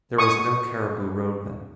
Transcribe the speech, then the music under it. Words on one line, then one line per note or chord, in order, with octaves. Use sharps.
There was no Cariboo Road then.
C#6 D#6